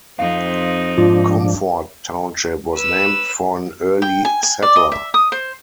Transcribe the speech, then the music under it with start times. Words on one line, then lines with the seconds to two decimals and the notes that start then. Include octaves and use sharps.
Comfort Township was named for an early settler.
0.19 F2 C4 D#4 F5
0.98 G#2 F3 D4 F4
2.76 B4 E6
4.02 G5
4.25 G#5
4.43 G#5
4.62 D5
4.76 D#5
4.92 E5
5.14 D#6
5.32 C5